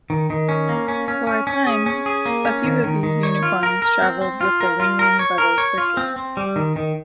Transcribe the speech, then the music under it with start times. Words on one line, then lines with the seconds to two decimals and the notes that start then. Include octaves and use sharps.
For a time, a few of these unicorns travelled with the Ringling Brothers Circus.
0.10 D#3
0.30 D#3
0.49 C#4
0.69 A#3
0.88 C#4
1.08 C#4
1.27 C#4
1.47 C#4
1.67 G#4
1.86 C#4
2.06 G#4
2.26 A#3
2.45 C#4
2.64 D#3
2.84 D#3
3.03 D#3
3.23 C#5
3.43 F4
3.63 A#4
3.82 A#4
4.02 C4
4.21 C4
4.41 F4
4.61 A#4
4.80 F4
4.99 A#4
5.19 C#5
5.38 A#4
5.58 C#5
5.78 F4
5.97 C4
6.16 C4
6.37 G3
6.56 D#3
6.76 D#3